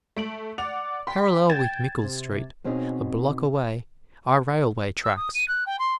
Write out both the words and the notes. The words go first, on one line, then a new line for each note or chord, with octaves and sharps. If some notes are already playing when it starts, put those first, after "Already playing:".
Parallel with Mickle Street, a block away, are railway-tracks.
A3 D7 F#7
D5 F#5 F7
G5 C6 B6
G5 G#6 A6 E7
C3
B2 C4 C#4 D#4 G#4
E6
D#6
D#7
F#6
G5
C6